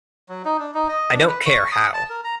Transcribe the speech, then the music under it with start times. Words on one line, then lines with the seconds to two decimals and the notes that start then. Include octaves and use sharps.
I don't care how.
0.29 F#3
0.45 D#4
0.59 D4
0.74 D#4
0.89 D#5
1.13 D4
1.27 B4
1.46 C#6
1.72 D#6
1.94 A5
2.10 A#4
2.24 A#5